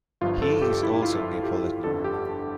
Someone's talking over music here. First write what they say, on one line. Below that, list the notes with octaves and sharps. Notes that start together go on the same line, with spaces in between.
He is also Neapolitan.
G1 G2 F3 F4
A4
G4
E4
F4
G4
G1 F2 D3 A4
G4